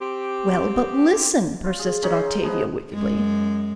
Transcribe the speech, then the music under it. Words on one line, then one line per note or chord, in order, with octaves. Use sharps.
"Well, but listen," persisted Octavia wickedly.
C4 G4
F4
G#4
C#4 D#4 G#4
C6
F3 G#3 B3
F#2 G#3